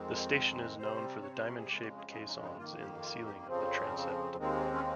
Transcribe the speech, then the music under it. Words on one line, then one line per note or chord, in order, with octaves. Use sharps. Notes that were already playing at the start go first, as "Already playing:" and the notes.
The station is known for the diamond-shaped caissons in the ceiling of the transept.
Already playing: F2 D#3 G#3 C4
C3 G3 C4 C5
C#5
C5
A#4
G#4
F2 C#3 G#3 G4
G4
G#4
G#4
D#4
D#4
F2 D#3 A#3 F4
G4
F4
G4
F2 C#3 F3 C4
D#2 D#3 G#3 C4
C#4